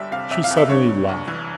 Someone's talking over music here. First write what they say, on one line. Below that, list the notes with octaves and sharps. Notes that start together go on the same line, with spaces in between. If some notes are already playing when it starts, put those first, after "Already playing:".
She suddenly laughed.
Already playing: G1 G3 E5
C3 F5
F2 E5
F5
F2
E5
G2 C#5
G2
C2
E3